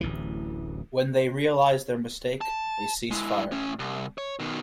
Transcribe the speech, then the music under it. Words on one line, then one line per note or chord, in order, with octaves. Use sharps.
When they realize their mistake, they cease fire.
D1 A1 D2 E3
A5
G#3 E4
A2 C#4
C2
C#5
B2 D#3